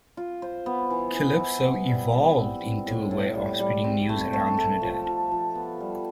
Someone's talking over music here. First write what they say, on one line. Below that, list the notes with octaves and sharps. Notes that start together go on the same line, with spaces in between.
Calypso evolved into a way of spreading news around Trinidad.
F4
C5
B3
E3
E3
E4
B3
G3
G3
C4
C4
A2
A2
G3
G3
C4
A3
A3
A3
F3
F4
F3
B3
G3